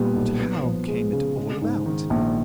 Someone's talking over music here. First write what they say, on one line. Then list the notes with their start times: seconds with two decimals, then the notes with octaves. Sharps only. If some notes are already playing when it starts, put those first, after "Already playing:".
But how came it all about?
Already playing: A#2 G3 B3
0.16 B1
0.39 B3
0.63 F3
0.88 G#3
1.13 C#3
1.37 G#3
1.61 G#2
1.86 D#3
2.10 A#1